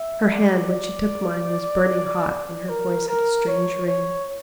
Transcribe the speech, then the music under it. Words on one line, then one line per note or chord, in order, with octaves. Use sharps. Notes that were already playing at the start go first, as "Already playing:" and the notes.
Her hand, when she took mine, was burning hot, and her voice had a strange ring.
Already playing: E5
D5
D5
D5
A#4
A#4
C#5
C#5